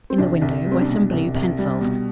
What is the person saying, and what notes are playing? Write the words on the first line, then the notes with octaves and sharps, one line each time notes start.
In the window were some blue pencils.
C4
C2 D4
C2
G3
C4
D4
B2
C2
C2
G3
B2